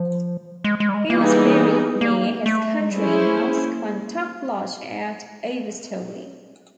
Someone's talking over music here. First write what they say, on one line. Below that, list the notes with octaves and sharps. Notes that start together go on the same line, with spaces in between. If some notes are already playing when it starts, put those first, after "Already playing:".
He was buried near his country house Quantock Lodge at Over Stowey.
Already playing: F3
G#3
G#3
G3
G#3
E3 G3 A#3 B3 D#4 G#4
A#3
A3
G#3
G3 C#4 E4 G#4 C5
F3
F#3
A3
A#3